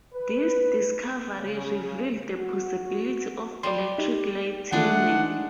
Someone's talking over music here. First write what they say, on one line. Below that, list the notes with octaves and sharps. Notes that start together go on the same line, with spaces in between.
This discovery revealed the possibility of electric lighting.
B4
C#3
F#4
G3 D5 C6
D#4 G4
D#3 E3 G#3 A3 D4 F4 F#5